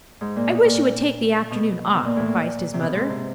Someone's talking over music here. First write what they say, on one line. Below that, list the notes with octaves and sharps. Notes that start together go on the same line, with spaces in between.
"I wish you would take the afternoon off," advised his mother.
G#2
A#2
B2
A#2
B2
B2
A#2
A2
A#2
C3
B2
G#2
C3